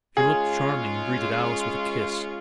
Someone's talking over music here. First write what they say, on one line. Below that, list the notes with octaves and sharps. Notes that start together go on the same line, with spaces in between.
She looked charming, and greeted Alice with a kiss.
G#3 C#4 F4 G#4